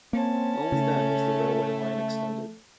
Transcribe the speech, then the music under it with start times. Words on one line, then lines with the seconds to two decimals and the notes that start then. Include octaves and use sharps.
Only then was the railway line extended.
0.13 A#3 C4 C#4 A5
0.72 C#3 A3